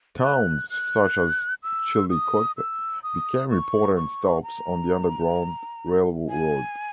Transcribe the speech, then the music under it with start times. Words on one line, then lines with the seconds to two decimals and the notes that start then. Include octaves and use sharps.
Towns such as Chillicothe became important stops on the Underground Railroad.
0.24 F#6
0.70 F#6
1.63 E6
2.10 D#6
2.57 E6
3.03 D#6
3.50 C#6
3.96 C#6
4.43 A#5
6.29 G#5